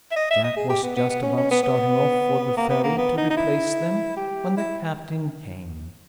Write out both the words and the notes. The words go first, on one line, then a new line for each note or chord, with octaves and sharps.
Jack was just about starting off for the Ferry to replace them when the Captain came.
E5
D#5
E5
D#5
G#4
G4
B3
B3
B3
C#4
C#4
B3
B3
A#3
B3
A#3
B3
D#4
D#4
E4
G4
E4